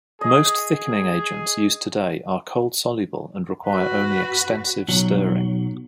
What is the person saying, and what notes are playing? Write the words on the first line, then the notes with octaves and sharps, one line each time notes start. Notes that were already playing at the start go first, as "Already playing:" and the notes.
Most thickening agents used today are cold-soluble and require only extensive stirring.
G#4 D#5
F#4 B4
B1 F#3